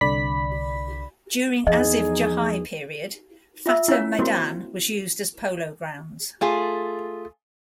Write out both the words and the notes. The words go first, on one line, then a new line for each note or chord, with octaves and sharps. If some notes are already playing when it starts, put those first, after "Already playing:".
During Asif Jahi period, Fateh Maidan was used as Polo Grounds.
C2 D3 D5 B5 B6
E2 F3 D#4 G#4 D#5
F4 E5 E6
C#4 E4 C#5 E5
A#3 C4 E4 F#4 C5
A3 F4 G#4